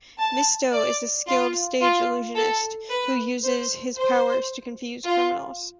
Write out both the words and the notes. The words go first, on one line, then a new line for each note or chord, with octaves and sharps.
Mysto is a skilled stage illusionist, who uses his powers to confuse criminals.
A5
D5
F4
F4
A4
B4
C5
C5
F4